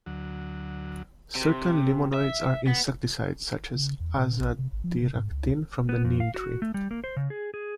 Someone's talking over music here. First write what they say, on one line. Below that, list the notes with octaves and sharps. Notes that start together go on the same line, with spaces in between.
Certain limonoids are insecticides such as azadirachtin from the neem tree.
D2 F#3
C3
E5
B3
C#3
E2
A#2
A#1
C3
G#1
F3
C3
G#2
C#2
B3
F2
F5
F#4
A3
G3
A#3
C5
C#3
G#4
G#4